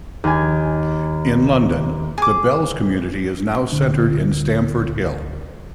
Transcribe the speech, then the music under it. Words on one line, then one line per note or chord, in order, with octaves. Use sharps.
In London, the Belz community is now centred in Stamford Hill.
D#2 G#5
G#4 D6
D1 D3 D4